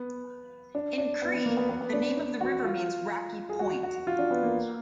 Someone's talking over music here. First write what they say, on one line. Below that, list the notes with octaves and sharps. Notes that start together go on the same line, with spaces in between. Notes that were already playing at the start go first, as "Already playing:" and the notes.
In Cree the name of the river means "rocky point".
Already playing: B3
D4
D4
B3
B3
A#3
B3
B3
B3
D4
B3
D4
F#4
F4
G#4
F#4
F#4
F4
D4
B3
A#3